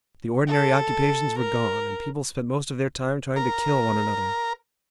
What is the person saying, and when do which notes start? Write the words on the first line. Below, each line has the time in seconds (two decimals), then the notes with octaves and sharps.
The ordinary occupations were gone, and people spent most of their time trying to kill one another.
0.47 A4
1.38 A#4
3.36 A#4